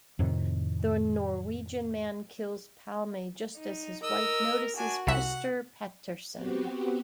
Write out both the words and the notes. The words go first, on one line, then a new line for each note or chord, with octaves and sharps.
The Norwegian man kills Palme just as his wife notices Christer Pettersson.
F2 A2 C3 D#3
D#4
A#4 D#5 E6
D4 F#4 G#5
C2 E5 F#5
B3 C4 F#4 G4